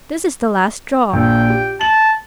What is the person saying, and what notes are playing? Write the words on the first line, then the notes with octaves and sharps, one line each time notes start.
This is the last straw.
A#1 A#2 G5
G4
A5 F#7